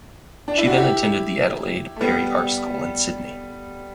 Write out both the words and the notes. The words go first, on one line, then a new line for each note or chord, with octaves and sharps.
She then attended the Adelaide Perry Art School in Sydney.
D4
E4
F#4
E4 G4
A3
G3 B3